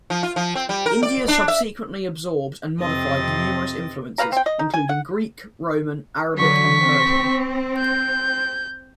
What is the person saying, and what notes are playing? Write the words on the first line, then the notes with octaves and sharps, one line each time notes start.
India subsequently absorbed and modified numerous influences, including Greek, Roman, Arabic and Persian.
F3
F4
F3
C4
G3
A#4
D5
D4
E5
F2 C3 C4 D#5 A6
A#3 B4 F5 A#5
C4 G5
D#5
D#4
G#5
F#5
D3 E3 F#3 C#6 B6
C4
G6